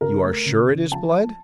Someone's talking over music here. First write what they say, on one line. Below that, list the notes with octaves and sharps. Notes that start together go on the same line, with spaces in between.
"You are sure it is blood?"
C#3 A#4
A3
C#3
C#3
F3 A5